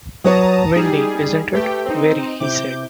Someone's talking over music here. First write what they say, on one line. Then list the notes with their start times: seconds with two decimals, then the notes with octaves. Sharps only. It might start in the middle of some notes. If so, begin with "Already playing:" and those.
Windy, isn’t it?’ ‘Very,’ he said.
0.24 F#3 B4 C#5 A5 A#5 D#6
0.76 G3 D#4 G#4
1.53 A3 G4 B4 G5
1.85 C4 D#4
2.40 C3 E4 D6 G6